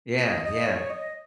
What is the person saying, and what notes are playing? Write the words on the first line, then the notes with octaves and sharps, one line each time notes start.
Yeah, yeah.
D#5
D#5
C#5
D#5